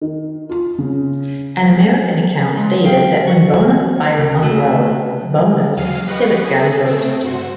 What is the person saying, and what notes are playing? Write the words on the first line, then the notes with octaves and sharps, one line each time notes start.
An American account stated that when "Bona" fired on "Roe" "Bona"s pivot gun burst.
D#3
F4
C#3
G#3
F5 G5
F#4
D2 C#3
A3 F#4
D#2 F#3 F5 D#7
G4 B4 D#5 F#5 G5 C#6
G#4 A4
C#3 A3 C4
G2 F#4 C5